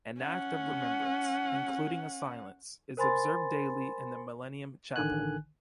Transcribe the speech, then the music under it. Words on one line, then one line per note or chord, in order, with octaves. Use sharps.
An Act of Remembrance, including a silence, is observed daily in the Millennium Chapel.
C#4 F#5
A#4 C5 G#5 B5 C6 A6
A1 D3 D#3 G#5 F#6